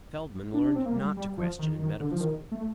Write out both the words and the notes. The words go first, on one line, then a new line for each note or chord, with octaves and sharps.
Feldman learned not to question in medical school.
D4
D4
C4
A#3
G3
G3
F3
D#3
D#3
D3
F3
D#3
A3